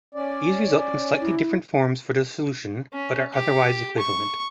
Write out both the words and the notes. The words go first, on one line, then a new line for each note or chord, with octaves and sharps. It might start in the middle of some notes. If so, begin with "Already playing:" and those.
These result in slightly different forms for the solution, but are otherwise equivalent.
C#4 D5
E4
C#4
G4
C#6